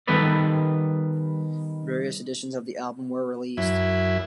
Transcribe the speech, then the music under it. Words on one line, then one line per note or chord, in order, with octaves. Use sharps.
Various editions of the album were released.
D#3 G3 B3 A4 B4 D5
F#2 E4